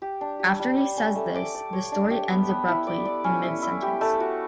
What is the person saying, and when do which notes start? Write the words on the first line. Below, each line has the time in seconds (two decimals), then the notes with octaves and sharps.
After he says this, the story ends abruptly in mid-sentence.
0.02 G4
0.21 D4
0.39 G4
0.60 G3
0.77 G3
0.97 C#4
1.15 A3
1.35 D5
1.55 D5
1.73 C#5
1.92 D4
2.10 G4
2.30 B3
2.49 B3
2.68 E4
2.87 D5
3.05 D5
3.24 C#4
3.43 E4
3.62 E4
3.82 G4
4.01 A3
4.20 F#4